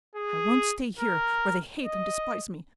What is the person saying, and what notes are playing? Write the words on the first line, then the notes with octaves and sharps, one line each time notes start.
I won't stay here, where they hate and despise me!
G#4
A#4
D#5